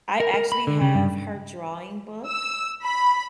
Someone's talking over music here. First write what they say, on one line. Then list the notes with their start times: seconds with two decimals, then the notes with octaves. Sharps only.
I actually have her drawing book.
0.20 A#4
0.34 A#4
0.52 B5
0.67 D3
0.81 C#3
0.95 G2
2.28 E6
2.86 B5